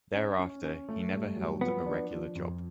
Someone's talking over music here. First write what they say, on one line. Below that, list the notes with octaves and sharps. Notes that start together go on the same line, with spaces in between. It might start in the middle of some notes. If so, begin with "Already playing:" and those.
Thereafter, he never held a regular job.
C#4
C#4
C#4
A3
G2
F#3
F3 B3
D4
F3
F2